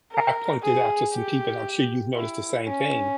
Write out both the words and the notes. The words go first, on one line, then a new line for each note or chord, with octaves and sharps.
I pointed out to some people and I'm sure you've noticed the same thing.
A#4
G#4
G4
E4
C#4